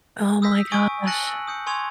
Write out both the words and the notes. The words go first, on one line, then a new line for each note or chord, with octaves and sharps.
Oh my gosh.
D#6 E6 G6 A#6 B6
G#5 C#6 D#6 D7
G#5 A5 F#6 A#6 C#7 F#7
E6
D#6 G6 C#7
G#5 C6 C#6 D#6 G#6 F7